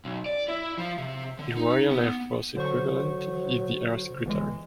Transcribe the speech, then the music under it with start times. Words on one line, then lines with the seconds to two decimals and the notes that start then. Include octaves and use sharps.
The Royal Air Force equivalent is the Air Secretary.
0.05 B1
0.26 D5
0.48 E4
0.78 F3
0.98 C3
1.39 D3
1.57 D#4
1.90 B3
2.56 D3 F#3 C5 C#6
4.25 G1 E3 G#3